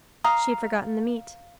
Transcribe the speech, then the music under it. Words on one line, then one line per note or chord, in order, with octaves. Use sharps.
She had forgotten the meat.
F5 A#5 D#6